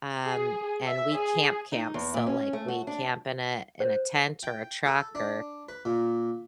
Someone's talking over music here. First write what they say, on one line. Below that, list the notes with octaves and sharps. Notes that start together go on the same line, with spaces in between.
um, and we camp, camp. So, like, we camp in a in a tent or a truck or,
G#4
E5
G#4
D#4
E2
A#2
C#4
A3
F#4
D4
C5
G5
A4
D4
B4
A#2